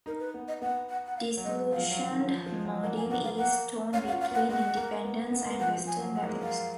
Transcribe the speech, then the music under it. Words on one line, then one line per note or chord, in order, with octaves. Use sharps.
Disillusioned Modin is torn between independence and Western values.
D#4 A#4
B4
B3
D#5
B3 F#5
F#5
F#5
F5
F#3
G#3 D#5
F3 F5
F#3
D#3
F3
F3
F#3
A#3 F#5
G#5
A#3
B3 F#5
F5
A#3 F#5
C#4 F5
F#4
F5
F4
F5
B3 F#5
G#3 F#5
A#3
B3
B3
A#3
B3
F3 F#5
F3
G#5
F#3
G#3 F#5
A#3
G#3
A#3 F5